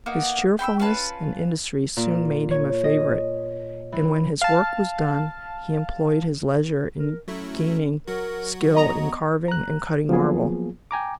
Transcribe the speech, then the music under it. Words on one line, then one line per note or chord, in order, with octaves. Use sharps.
His cheerfulness and industry soon made him a favorite; and when his work was done, he employed his leisure in gaining skill in carving and cutting marble.
A#3 B3 D#4
G5 B5 C6 E6
C#4 F4 B4 A5
A#2
C#5
D#5
E3
F5 A5
A#4
F#3 A3 C#4 E4
F#3 F#4 A#4
B3 D#5 A#5
A#5 F#6
F3 F#3 A#3 B3 F4 G#4
G5 G#5 A#5 D6